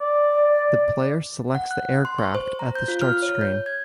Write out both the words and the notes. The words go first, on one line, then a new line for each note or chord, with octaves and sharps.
The player selects the aircraft at the start screen.
D5
F#5
F#6
C6
C#6
C5
A#5
G6
F4
F6
C#5
G6
G#6